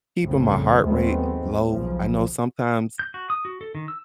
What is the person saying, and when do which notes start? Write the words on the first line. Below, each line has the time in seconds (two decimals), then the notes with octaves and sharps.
keeping my heart rate l low. I know sometimes
0.21 C2 F2 A2 C#3
0.84 D#2 F3 G#3 A3 B3 C4
1.70 B1 C#3 F3
2.99 G6
3.14 F#4
3.30 D#6
3.45 F#4
3.61 A4
3.75 D#3
3.88 E6